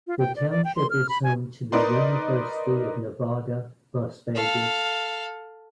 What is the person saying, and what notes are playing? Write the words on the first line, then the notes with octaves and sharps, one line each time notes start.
The township is home to the University of Nevada, Las Vegas.
F4
G5
D5
D5
G5
C6
F6
B5
G#5
D#4 A#4 B4 D5 C6
A4 F5